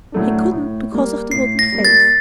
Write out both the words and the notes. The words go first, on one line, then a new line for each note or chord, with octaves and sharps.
He couldn't because of the wooden face.
A2 F#3 A3 D4
A2
G3 A#3
A2 C7
A#6
G3 A#3
A6